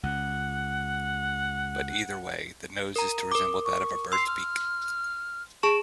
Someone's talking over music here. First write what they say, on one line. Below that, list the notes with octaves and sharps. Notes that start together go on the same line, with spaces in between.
But either way, the nose is to resemble that of a bird's beak.
C#2 F#5
A#4 A#5
A#4 D6
C#6
C6 E6 C7
F6
G#4 A5 C#6 E7